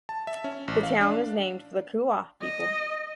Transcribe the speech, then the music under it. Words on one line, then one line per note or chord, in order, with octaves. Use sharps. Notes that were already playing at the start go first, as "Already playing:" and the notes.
The town was named for the Kiowa people.
A5
E5
C#4
A1
F5
D4
D#5